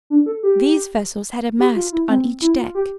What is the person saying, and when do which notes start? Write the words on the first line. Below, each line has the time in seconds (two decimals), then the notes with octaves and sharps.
These vessels had a mast on each deck.
0.10 D4
0.26 A4
0.43 G4
1.59 G4
1.76 F4
1.92 E4
2.09 C4
2.42 E4
2.59 F4
2.75 G4